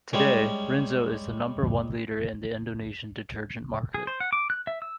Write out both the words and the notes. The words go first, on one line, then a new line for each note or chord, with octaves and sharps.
Today, Rinso is the number one leader in the Indonesian detergent market.
G3 G#3 C#4
G#4
C5
F#5
D6
F#6
E5
E6